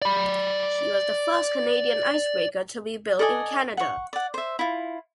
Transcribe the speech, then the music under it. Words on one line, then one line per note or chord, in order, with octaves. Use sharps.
She was the first Canadian icebreaker to be built in Canada.
D5 B5
A4 D5 D#5 G#5
F#5 C#6
D5 F#5
C5 E5
E4 F4